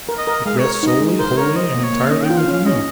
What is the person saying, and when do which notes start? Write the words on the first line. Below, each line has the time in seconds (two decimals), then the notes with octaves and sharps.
It rests solely, wholly, and entirely with you.'
0.09 A#4
0.18 D#5
0.27 A#4
0.46 G#3 F5
0.60 C#5
0.64 A#4
0.73 C#5
0.83 D#4 D#5
1.01 G#3
1.19 A#4 C5
1.37 A#4 C#5
1.56 C5 D#5
1.74 A#3
1.83 C#5
1.93 A#3
2.05 F5
2.11 C#4 D#5
2.25 F4 G5
2.38 F5
2.48 C#4
2.53 F5
2.66 C#4 D#5